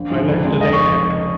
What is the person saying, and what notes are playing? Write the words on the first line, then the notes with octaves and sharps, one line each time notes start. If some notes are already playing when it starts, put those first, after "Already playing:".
I left a day after.
Already playing: A#1
G#2 F3 G#3
C#2
C#3 G#3
F1 D#5
C#6